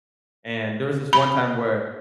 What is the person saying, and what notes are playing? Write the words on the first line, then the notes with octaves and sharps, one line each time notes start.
and there was this one time where,
B5